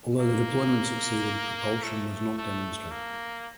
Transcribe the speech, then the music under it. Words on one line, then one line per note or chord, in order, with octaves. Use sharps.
Although the deployment succeeded, propulsion was not demonstrated.
A#3
A3
A3
A#3